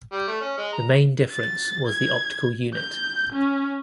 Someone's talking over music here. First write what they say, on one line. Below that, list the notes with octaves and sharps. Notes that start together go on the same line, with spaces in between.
The main difference was the optical unit.
G3
A3
C#4
G#3
A#5
A6
G#6
G6
C#4